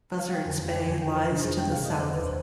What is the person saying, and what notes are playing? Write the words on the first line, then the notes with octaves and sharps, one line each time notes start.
Buzzards Bay lies to the south.
F5
G5
F2 D3 F3 G#5
G5
F2 D3 F3 G#5
G5
C5
F2 C3 D#3 D4
G#4
G5
F2 C3 D#3 F5
D#5
C5
D#2 D#3 B4
C5